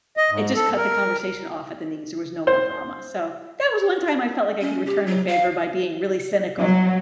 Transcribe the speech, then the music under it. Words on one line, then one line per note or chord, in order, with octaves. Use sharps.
it just cut the conversation off at the knees, there was no more drama. So, that was one time I felt like I could return the favor by being really cynical.
D#5
G#2
A4
A#4
C5
C#4
G4
F#3
F5
F#3